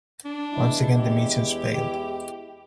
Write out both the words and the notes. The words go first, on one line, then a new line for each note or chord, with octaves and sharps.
Once again the missions failed.
D4
E2 G#3 E4
G4